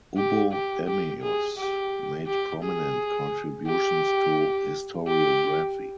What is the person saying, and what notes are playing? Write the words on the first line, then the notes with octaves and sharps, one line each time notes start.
Ubbo Emmius made prominent contributions to historiography.
G4
G4
G4
G#4
G4
G4
G#4
G4
G4